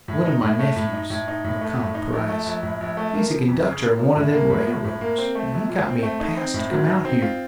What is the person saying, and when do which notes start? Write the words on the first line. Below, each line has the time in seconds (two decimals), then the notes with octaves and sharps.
One of my nephews, Elkanah Price, he's a conductor on one of them railroads and he got me a pass to come out here.
0.08 A2
0.25 D#4
0.42 A2
0.59 A3
0.76 A2
0.93 D#4
1.10 A2
1.28 D#4
1.44 A2
1.61 A3
1.78 A2
1.95 D#4
2.12 A#1
2.29 A3
2.46 A#1
2.63 A2
2.81 A#1
2.97 A3
3.14 A#3
3.31 F3
3.48 F2
3.65 C#3
3.82 A#3
3.99 F3
4.16 A2
4.33 A#3
4.50 A2
4.67 F3
4.84 A2
5.01 A#3
5.18 C4
5.35 A3
5.52 A#1
5.69 A#2
5.86 C4
6.03 A3
6.20 D#4
6.37 C4
6.54 A2
6.71 F#3
6.88 D#4
7.05 C4
7.22 F4